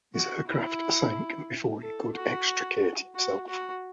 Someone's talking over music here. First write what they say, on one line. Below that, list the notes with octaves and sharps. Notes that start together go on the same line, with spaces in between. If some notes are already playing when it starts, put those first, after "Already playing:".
His aircraft sank before he could extricate himself.
F#4
E4
A4
F#4
F#4
F#4